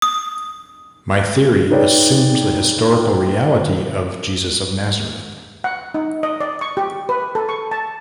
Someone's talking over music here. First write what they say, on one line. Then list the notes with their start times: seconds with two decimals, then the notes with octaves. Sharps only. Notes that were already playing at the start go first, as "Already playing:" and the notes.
My theory assumes the historical reality of Jesus of Nazareth.
0.02 D#6
1.70 D#4 G#4 B4 C#5 D5 G5
5.64 F#5
5.94 D#4
6.23 D#5
6.40 D5
6.61 C#6
6.77 G4
7.09 B4
7.35 A4
7.49 C#6
7.71 A5